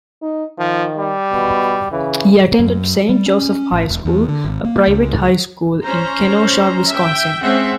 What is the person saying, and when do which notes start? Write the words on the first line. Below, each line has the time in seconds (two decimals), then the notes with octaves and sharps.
He attended Saint Joseph High School, a private high school in Kenosha, Wisconsin.
0.22 D#4
0.59 D#3 F3
0.98 G3
1.32 B2
1.92 C#3 E3
2.59 F#2
3.09 G3
3.26 C#4
3.72 A1
3.89 E1
4.05 E2
4.28 D3
4.44 G#1
4.65 A#3
4.87 C#2
5.85 C#4 C5 A#5
6.88 E5 G5
7.43 G#3 C4 C#4 E5 F#5